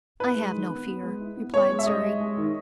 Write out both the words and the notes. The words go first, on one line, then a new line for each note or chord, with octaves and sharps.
"I have no fear," replied Surrey.
E4 B4
G#3
D#3
B3
B3
G#3
E4
B3
B3 C#5
G#3
E5
G#3 D#5
G#3
G#3
D#3